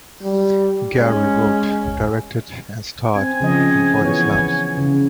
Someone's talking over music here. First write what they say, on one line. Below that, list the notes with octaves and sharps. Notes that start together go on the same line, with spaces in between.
Gary wrote, directed and starred in Bodyslams!
G3
G#3 C#4
C4 G#5
C#3 F3 D#5
E3 B3 C#5
C#3